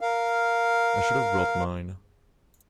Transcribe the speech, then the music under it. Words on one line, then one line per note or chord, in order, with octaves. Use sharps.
I should have brought mine.
A#4 F5